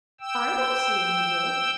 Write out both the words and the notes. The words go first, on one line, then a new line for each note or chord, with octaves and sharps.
'I don't see any wolf.'
G5 E6